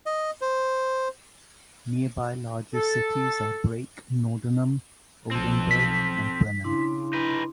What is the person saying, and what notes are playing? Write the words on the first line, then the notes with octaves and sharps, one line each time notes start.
Nearby larger cities are Brake, Nordenham, Oldenburg, and Bremen.
D#5
C5
A4
B1 F3 C4 A4
B6
C#3 D4 E4 C6
D#4 B4